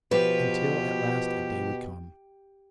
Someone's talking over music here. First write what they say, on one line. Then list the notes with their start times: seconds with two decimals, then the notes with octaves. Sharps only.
Until at last a day would come....
0.11 B2 F3 G4 B4